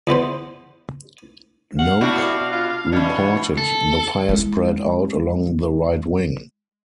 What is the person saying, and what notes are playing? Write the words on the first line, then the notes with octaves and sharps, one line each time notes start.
Knoke reported: The fire spread out along the right wing.
E2 E3 B3 C5
F5 F#5
B2 D4 E4 F#4
F4
B2 E3 D4 C#5
A4
G#3 E4